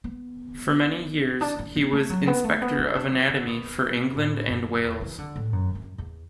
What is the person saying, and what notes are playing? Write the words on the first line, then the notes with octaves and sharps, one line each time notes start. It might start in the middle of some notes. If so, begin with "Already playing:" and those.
For many years he was Inspector of Anatomy for England and Wales.
B3
D4
D4
B3
A3
F#3
B3
A3
B3
E4
D4
E3
D3
B2
A2
F#2
E2
E3
D3
A2
F#2
F#2
E2